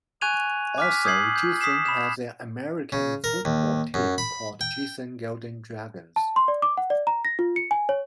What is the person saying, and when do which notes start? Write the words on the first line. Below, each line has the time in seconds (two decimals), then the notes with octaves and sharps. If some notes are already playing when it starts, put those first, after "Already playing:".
Also, Giessen has an American football team called Giessen Golden Dragons.
0.21 G#5 C#6 F#6 G#6 D#7 F7
0.78 D6 F6 B6
1.04 D6 D#6 G6 G#6 C7 F#7
1.36 G6
1.61 D#6 B6 C7 E7
1.86 B5 E7
2.92 C#3
3.24 A#4
3.45 D#2
3.94 F#2
4.18 B5
4.61 G5
6.16 A5
6.36 C6
6.48 D5
6.62 D6
6.77 F#5
6.90 D5
7.07 A#5
7.25 A#6
7.39 F4
7.56 C#7
7.71 G#5
7.89 C#5